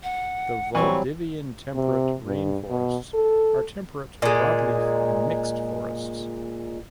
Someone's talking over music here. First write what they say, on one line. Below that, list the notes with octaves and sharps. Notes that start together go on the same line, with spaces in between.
The Valdivian temperate rain forests are temperate broadleaf and mixed forests.
F#5
E3 F#3 G3 C4 C#6
C3
G2
B2
A4
A#2 G#3